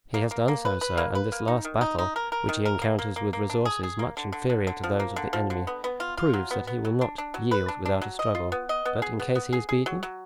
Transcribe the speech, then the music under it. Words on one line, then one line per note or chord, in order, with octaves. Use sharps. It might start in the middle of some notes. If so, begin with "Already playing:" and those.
"He has done so, sir, and this last battle, which he encounters with resources much inferior to those of the enemy, proves that he will not yield without a struggle; but in case he is beaten?"
A#3
A#3
A#3
B4
B4
A#3
B4
A#3
D#4
D#3
D#4
D#4
A#4
A#4
D#3
A#4
A#3
A#3
A#3
A#3
D4
G#4
G#4
A#3
D3
D3
D3
D3
F3
A#3
D3
F3
D3
B3
B3
F4
F4
F#3
B3
B3
F#3
D4
D4
F#3
B4
D4
D4
F#3
D#5
F4
B3
D#5
B3
G#4
B3
B3
G#4
G#4
F#3
F#3